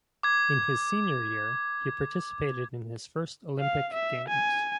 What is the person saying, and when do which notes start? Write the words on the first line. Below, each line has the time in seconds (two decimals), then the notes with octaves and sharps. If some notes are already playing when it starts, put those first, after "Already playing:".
In his senior year, he participated in his first Olympic Games.
0.23 D6 G#6
3.60 F5
3.93 E5
4.28 G#5